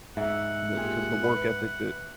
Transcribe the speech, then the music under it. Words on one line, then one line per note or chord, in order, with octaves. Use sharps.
The 'cause the work ethic that
G#2 E5 F#5
A#2 G4 G#4
B4